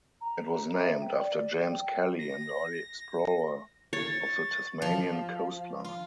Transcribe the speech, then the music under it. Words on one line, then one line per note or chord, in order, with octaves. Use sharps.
It was named after James Kelly an early explorer of the Tasmanian coastline.
A#5
E5
G5
D5
G5
A#6
C#5 A6
F3
F4